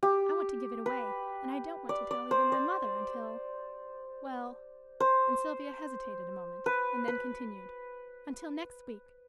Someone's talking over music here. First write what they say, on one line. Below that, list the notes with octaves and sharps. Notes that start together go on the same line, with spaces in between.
I want to give it away, and I don't want to tell even my mother until--well," and Sylvia hesitated a moment, and then continued, "until next week.
G4
B4
D5
D5
C5
D5
C5
B4
B4